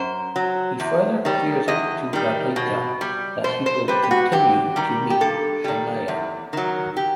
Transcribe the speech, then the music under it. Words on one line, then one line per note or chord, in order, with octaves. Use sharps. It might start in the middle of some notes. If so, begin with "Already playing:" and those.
He further clears it to Radhika that he will continue to meet Shanaya.
Already playing: F#2 C5
F#3
E2
D#3 G3
E2 D#5
D#3 G3
B2
G3
B2 C5
C5
G3 B4
G4
F#4
G2 G4
D#3 G3
G4
G2 A4
D#3 G3
E2
D#3 F#3
G4